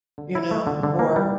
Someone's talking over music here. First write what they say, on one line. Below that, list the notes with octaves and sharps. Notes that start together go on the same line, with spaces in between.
you know, or
D3
E4
A3
D3
D3
A#3
G3